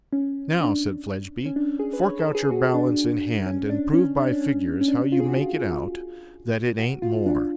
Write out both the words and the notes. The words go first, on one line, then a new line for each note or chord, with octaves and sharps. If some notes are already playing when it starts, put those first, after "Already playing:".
'Now!' said Fledgeby. 'Fork out your balance in hand, and prove by figures how you make it out that it ain't more.
C#4
D4
C#4
D4
G#4
B4
C#5
A4
G#4
F#4
D4
C#4
D4
C#4
D4
C#4
D4
C#4
C#4
D4
F4
G#4
F#4
F4
F#4
F4
D4